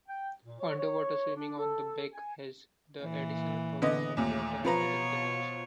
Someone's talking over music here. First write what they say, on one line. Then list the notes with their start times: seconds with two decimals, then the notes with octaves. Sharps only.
Underwater swimming on the back has the additional problem of water entering the nose.
0.08 G5
0.45 A#2
0.59 C#5
0.77 C#5
1.35 D4
1.58 A4
2.13 G#5
3.02 A#2 E3
3.82 D3 B3 D#5
4.17 D#2 A#2 A3
4.65 B2 F3 F4 B4 C#5 A#5